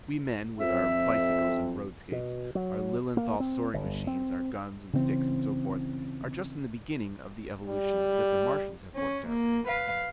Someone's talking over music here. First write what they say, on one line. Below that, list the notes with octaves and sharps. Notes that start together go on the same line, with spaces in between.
We men, with our bicycles and road-skates, our Lilienthal soaring-machines, our guns and sticks and so forth, are just in the beginning of the evolution that the Martians have worked out.
F2 C4 E5
B2
F#3
A#3
C4
G1
C4
C#3 E3 C4
G3
C#4
A#3
B4 F5